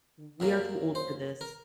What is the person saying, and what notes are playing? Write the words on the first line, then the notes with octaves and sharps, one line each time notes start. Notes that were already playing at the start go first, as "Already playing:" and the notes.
We are too old for this
F#2 C#3 F#3 A#3
C5
A#4